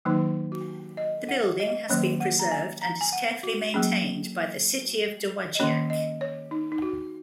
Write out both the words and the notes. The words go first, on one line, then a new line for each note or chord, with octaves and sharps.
The building has been preserved and is carefully maintained by the City of Dowagiac.
D#3 F#3 A#3 D#4
F#4
D#5
F#5
D#5
D#3 F#3 A#3 C#4 C#5
F#5
A#5
G#5
A#5
G#5
F#5
F#4
F#3 A#3 C#4 G#4
D#5
D#3 A#3 C#4 C#5
D#5
C#5
D#4
D#4
F#4